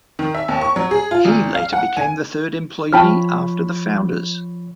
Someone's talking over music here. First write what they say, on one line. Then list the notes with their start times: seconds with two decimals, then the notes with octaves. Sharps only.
He later became the third employee after the founders.
0.19 D#3
0.35 E5
0.48 D#2
0.61 C#6
0.76 F#3
0.91 G#4
1.11 F4
1.25 G#1
1.55 F5
1.73 F#5
1.97 G#5
2.93 F3 C#5 G5 A5 B5 F6